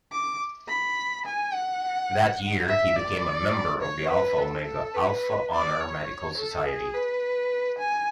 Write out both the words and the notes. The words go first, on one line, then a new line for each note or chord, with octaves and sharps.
That year he became a member of the Alpha Omega Alpha Honor Medical Society.
D6
B5
G#5
F#5
E5
D5
C#5
B4
A4
A4
B4
D5
C#5
A4
G#4
B4
G#5